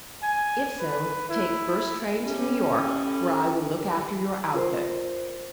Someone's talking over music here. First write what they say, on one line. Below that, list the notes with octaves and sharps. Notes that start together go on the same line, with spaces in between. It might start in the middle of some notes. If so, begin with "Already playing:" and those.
If so, take first train to New York, where I will look after your outfit.
G#5
B4
E4
A2 C#4 G4
F4 A#4 C5